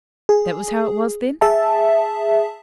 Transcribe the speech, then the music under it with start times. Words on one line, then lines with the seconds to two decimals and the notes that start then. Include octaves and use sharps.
'That was how it was, then?'
0.29 G#4
1.41 G#4 E5 A5